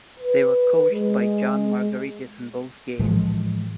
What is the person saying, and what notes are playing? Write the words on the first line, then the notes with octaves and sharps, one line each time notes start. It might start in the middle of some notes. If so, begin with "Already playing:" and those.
They were coached by John Margaritis in both games.
B4
G#3
A2 E3 F3 G#3